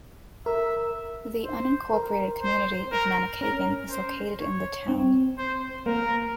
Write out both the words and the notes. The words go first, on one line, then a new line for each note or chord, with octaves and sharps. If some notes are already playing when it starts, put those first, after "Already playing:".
The unincorporated community of Namekagon is located in the town.
A#4 E5
C5
A#4
C5
A#4
C#4 A#4
C5
C#5
C4
C5
A#3 A#4